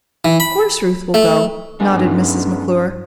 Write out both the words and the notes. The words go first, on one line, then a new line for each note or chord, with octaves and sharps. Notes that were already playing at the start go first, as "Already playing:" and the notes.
"Of course Ruth will go," nodded Mrs. McClure.
E3
B5
A3
D3 G#3 B3 D4 G#5
G2 C#4 D#4